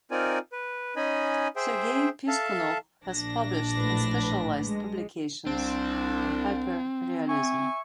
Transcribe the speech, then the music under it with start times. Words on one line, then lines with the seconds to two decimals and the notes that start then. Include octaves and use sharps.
Sergey Piskunov has published in specialized publications on hyperrealism.
0.11 C4 D#4 F4 A#4 D5 G#5
0.52 B4
0.96 C#4 D#4 D#5 G#5 B5
1.56 G#4 C5 E5 G5
2.28 A4 E5 F5 A5
3.04 A#1 D4 A#6
3.75 A2 B4
4.65 G#3
5.47 C2 C4 D4
7.29 E5 G#5 C#6